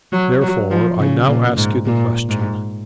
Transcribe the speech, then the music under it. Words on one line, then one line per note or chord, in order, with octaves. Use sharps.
Therefore I now ask you the question.
F#3
F#3
F3
C#3
A#2
G#2
A#2
G#2